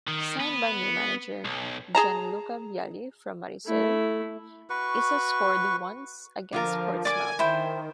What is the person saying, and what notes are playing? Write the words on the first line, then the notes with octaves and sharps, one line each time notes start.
Signed by new manager Gianluca Vialli from Marseille, Issa scored once, against Portsmouth.
D#3
B3
B1
G#4 A5 A#5
A3 E4
F#4 B4 C#6
D3 F3 F4 A#4
D5 G#5 D6
D#3 E4 C5 G5